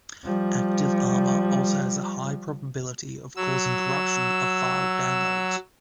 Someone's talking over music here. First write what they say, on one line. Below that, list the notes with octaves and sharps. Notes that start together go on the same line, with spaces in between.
ActiveArmor also has a high probability of causing corruption of file downloads.
F3 G3
F#3 E6